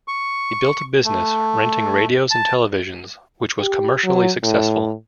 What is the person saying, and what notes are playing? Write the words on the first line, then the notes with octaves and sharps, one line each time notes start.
He built a business renting radios and televisions, which was commercially successful.
C#6
A3
A5
G4
F#3
A2